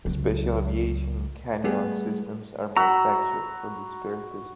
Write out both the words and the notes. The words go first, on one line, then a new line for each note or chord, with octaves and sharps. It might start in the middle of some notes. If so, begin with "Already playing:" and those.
Special aviation cannula systems are manufactured for this purpose.
C#2 F#3
G3 A3 B3 G4 G#4
F#4 A#5 B5 E6